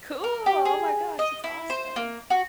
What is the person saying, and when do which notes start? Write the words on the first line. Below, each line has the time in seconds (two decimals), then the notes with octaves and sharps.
Cool! Oh my gosh. That's awesome.
0.24 A#4
0.46 G4
0.65 G#4
1.19 D#5
1.44 E4
1.70 C5
1.96 A#3
2.30 F#4